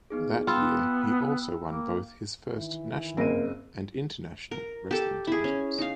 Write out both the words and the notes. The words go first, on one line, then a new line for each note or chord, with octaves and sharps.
That year he also won both his first national and international wrestling titles.
B3 D#4 G#4
B3 F4 G5 B5 E6
A#3
D#3 E3 E4
F#1 G2 A#3 C4 A#6 D#7
A#4
G4 A4
E4 G#4
C#4
D#4 F5